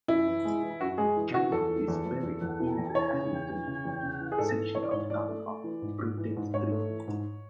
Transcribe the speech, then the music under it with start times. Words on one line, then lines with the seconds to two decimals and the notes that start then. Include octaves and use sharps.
Campbell is buried in the Allingtown section of town off Prudden Street.
0.08 F#2 E4
0.27 E3
0.45 G#3
0.63 E3
0.81 F#2 F#4
0.98 G#3 G#4
1.17 E3
1.34 E3 F#4
1.52 E2 A4
1.70 E3
1.88 E2
2.06 E2
2.23 E2
2.42 E2
2.59 E3
2.78 E2
2.95 E3 C#5
3.13 C#3
3.31 E2
3.49 E3
3.67 C#3
3.85 E2
4.03 C#3
4.21 E3
4.32 G#4
4.38 G#2 A4
4.57 E3
4.75 E3 C#5
4.83 D5
4.91 G#2 C#5
5.10 E3 D5
5.28 A3
5.46 A3
5.64 E3
5.82 G#2
6.00 G#2
6.18 E3
6.36 G#2
6.54 G#2 C#5
6.72 A3
6.90 E3
7.08 G#2